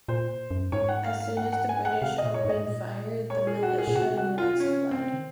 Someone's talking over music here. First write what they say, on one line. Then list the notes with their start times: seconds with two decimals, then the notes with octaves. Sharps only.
As soon as the British opened fire the militia units fled.
0.08 A#2 C5
0.51 F#2
0.72 G#2 C#5
0.89 F#5
1.04 F5
1.20 F5
1.37 F#5
1.53 F#5
1.69 G#5
1.85 F#5
2.02 C3 F5
2.18 A#2 D#5
2.34 C#5
2.45 G#2 D#5
2.66 A#2
3.30 C#5
3.47 G#4
3.63 F#4
3.78 G#4
3.87 A#2
3.94 C3 F#4
4.17 F#4
4.38 F4
4.60 C#4
4.91 C4
5.13 D#3